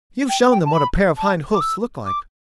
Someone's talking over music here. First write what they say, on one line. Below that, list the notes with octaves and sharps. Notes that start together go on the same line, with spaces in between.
"You've shown them what a pair of hind hoofs look like."
G5
G5
A5
B5
A5
D6
E6
D6